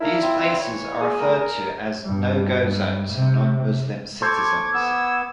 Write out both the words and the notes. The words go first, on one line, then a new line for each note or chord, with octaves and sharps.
These places are referred to as "No-go Zones" for non-Muslim citizens.
A#3 D4 E4 A#4
G3 C4 F4
E3 C#5
G#4
G3 A3 A#4
A#4
G2
G2
C3
A4 C5 C#6 D6 G#6
B3 E6